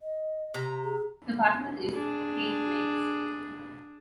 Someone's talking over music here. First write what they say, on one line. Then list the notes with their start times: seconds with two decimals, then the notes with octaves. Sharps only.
Her partner is Keith Miles.
0.01 D#5
0.54 C3 A#5
0.84 G#4
1.91 D4 G#4